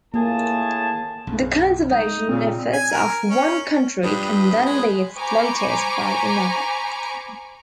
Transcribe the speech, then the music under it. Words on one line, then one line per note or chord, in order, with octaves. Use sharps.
The conservation efforts of one country can then be exploited by another.
A2 A#3 G#4 A5
B1 F#2 C#3
G#3 D#4
A#2 C#3 C4
G#5
A#4
C#4
G2 G3 F4 B4 D#6 G6
G#3
C5 G#5 A#5 B5 C#6 D6